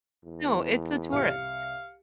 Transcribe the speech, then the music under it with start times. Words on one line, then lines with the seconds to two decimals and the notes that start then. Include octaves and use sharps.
No, it's a tourist.
0.24 E2
1.12 C2 G4 F5 C#7